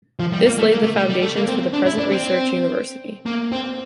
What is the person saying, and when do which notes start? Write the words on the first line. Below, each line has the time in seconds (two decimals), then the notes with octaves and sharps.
This laid the foundations for the present research university.
0.20 F3
0.33 G3
0.46 A#3
0.58 A3
0.71 A#3
0.83 A3
0.96 G3
1.09 G3
1.22 A3
1.35 A#3
1.48 C4
1.73 D4
1.86 E4
1.98 D4
2.11 C4
3.26 A#3
3.52 C4